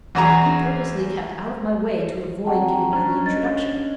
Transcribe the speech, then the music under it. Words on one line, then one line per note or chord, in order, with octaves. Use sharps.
He purposely kept out of my way to avoid giving me the introduction.
E2 F#4 G#4 A#5
C4 F#5 G5 A5 A#5 C#6
C#4 D4 C5 A#5
D#5 A6